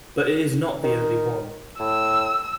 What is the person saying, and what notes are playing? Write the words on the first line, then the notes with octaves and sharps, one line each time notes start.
But it is not the only one.
D#3
A2 E6